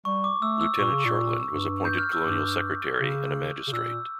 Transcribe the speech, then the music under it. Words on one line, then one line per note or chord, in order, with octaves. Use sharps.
Lieutenant Shortland was appointed colonial secretary and a magistrate.
G3 C#6
D6
A3 E6
E6
A#2 C#6
C#3
A#2
G2
G6
F6
E6
G2 D6
C#3
C#3
A#2 E6